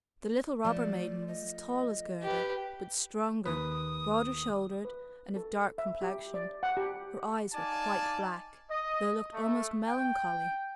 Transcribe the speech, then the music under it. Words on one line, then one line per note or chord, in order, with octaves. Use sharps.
The little robber maiden was as tall as Gerda, but stronger, broader-shouldered, and of dark complexion; her eyes were quite black; they looked almost melancholy.
F3 A3 D5
D#5
G4 B4
D#2 B4 D#6
B4
A4
E5
G4
D5
F#5
G4
D#4 D5 F5 G#5 A5
D#5
A3
G5